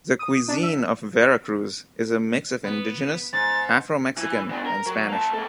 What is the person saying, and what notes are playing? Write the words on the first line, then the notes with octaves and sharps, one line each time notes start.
The cuisine of Veracruz is a mix of indigenous, Afro-Mexican and Spanish.
D#6
D4
E5
B3
G#2 A6
E3
B3 D4
A#4
F#3
A#3 A5
A#3 A4